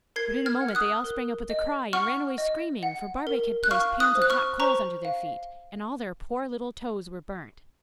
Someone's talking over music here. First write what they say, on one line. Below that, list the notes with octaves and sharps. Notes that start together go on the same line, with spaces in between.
But in a moment they all sprang up with a cry, and ran away screaming, for Barbaik had placed pans of hot coals under their feet, and all their poor little toes were burnt.
A#4 G#6 C7
F6 G#6
F#5
F6
D#6 F#6
A#4
D#5
F#5 C#6 F6
D#5
F#5
A#4
F#6
F5 C#6 F6
D#6 F#6
C5
F#6
C#6 F6
C5 A#5 C#6
F5